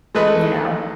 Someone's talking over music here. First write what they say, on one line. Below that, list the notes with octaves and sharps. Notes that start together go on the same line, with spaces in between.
You know?
G#3 A3 B4 D#5